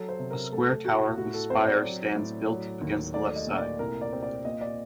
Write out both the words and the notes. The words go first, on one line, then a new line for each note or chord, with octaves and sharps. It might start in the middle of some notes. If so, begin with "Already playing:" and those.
A square tower with spire stands built against the left side.
Already playing: F#3 A4
C5
C3
A#4
A3 A4
A3 F#4
A2 F#4
A4
C4 C5
D5
F#3
A2
F#3
D#2
A3 D5
D#5
A#2
D5
C2 A#4
D5
C4
D5
A#2 D#5
D5